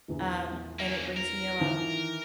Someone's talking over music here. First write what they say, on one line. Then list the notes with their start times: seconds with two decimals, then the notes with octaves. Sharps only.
um, and it brings me a lot
0.08 A#1 E2
0.80 C#3 A#3
1.17 A#4
1.59 D#3 E3 F4